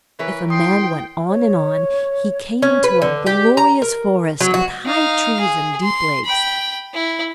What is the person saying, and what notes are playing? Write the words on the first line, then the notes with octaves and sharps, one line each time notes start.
If a man went on and on, he came into a glorious forest with high trees and deep lakes.
E3 A#4 B4 C#5
E4 G5 C6 D#6
C#5
C#4
B4
D3
G4
A#5
A#4
F#3
F#4
D#4 F5
G#4
C6
G5 B5
E4